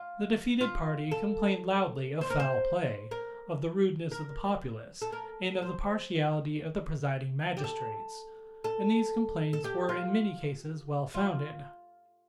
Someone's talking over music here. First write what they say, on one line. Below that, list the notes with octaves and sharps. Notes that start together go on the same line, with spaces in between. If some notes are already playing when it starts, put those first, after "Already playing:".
The defeated party complained loudly of foul play, of the rudeness of the populace, and of the partiality of the presiding magistrates; and these complaints were in many cases well founded.
Already playing: F4
F4
A4
C5
A#4
C5
A#4
A#4
A4
A#4
C5
G4
A4
A4
A4
G4
F4
F4